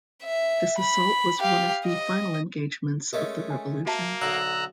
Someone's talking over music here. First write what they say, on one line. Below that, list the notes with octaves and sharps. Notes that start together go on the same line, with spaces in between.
This assault was one of the final engagements of the Revolution.
E5
B5
G4 F5
D#5
G#3 A3 C#4 A#4 D#5
G#5
A#3 F#4 E5 A5
B1 D3 A#5 C6 E6 F#6